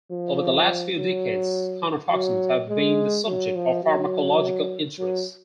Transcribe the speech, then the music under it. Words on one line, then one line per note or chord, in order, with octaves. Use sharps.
Over the last few decades conotoxins have been the subject of pharmacological interest.
F3
F#3
F#3
G#3
F#3
F3
F#3
F#3